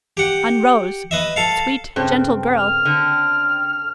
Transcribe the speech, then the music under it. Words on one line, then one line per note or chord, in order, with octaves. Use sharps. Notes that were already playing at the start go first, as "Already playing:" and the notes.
On Rose, sweet, gentle girl!
G4 F#5
B4 D#5 E5
A4 F5
G2 C#3 C4 A4 C5 G5
F6
D3